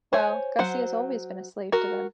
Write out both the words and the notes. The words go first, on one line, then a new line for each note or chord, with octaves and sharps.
Well, Gussie has always been a slave to them.
C5 C#5 G#5
F#3 C5 F#5
F#4 A#4